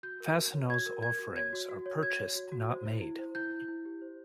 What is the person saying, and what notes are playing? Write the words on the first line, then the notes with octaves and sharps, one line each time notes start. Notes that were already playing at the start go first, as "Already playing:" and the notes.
Fastenal's offerings are purchased, not made.
F#4 G6
A#4
F#4
C#5
F#4 G#6
A#4
A#4 G#6
F#4
C#5 G#6
F#4
F#4
C#5
F#4 G#6
C#5
F#4
F#4
C5
E4
E4
C5
E4 G6
E4
E4
G4
C5